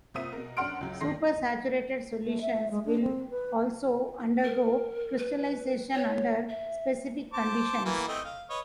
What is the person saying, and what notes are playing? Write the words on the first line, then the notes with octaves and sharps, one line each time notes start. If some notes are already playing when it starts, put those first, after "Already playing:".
Supersaturated solutions will also undergo crystallization under specific conditions.
C2 A#2 C5 E5 D#6 D#7
B2 A#4
F#2 D4 F#5 C6 F6 D7
C#2 F#3
D#3 A3 C6 A#6 C7
A3
E5
G#3
D4
C4
B4
A#4
B4
C#5
E5
C5 A5 D6
E3 A#3 B3
A3 C4 D#5
F5
B4 C#5 D#5